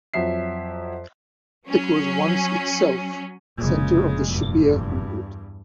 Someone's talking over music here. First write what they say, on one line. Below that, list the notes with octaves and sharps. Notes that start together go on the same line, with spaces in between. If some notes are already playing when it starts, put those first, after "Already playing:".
It was once itself centre of the Shebbear hundred.
F2 F#3 E5 C7
F#3 C#4
F1 A#2 C#3 G#3
E2 G2